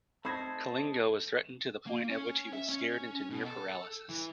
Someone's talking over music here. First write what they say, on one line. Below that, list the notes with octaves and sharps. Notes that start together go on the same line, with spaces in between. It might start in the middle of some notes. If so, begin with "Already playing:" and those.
Kalingo was threatened to the point at which he was scared into near-paralysis.
A3 C4 D#4 C5 A5 B5 G#6 A#6
A#3
C#4
E5
C#4
B2
A4
E3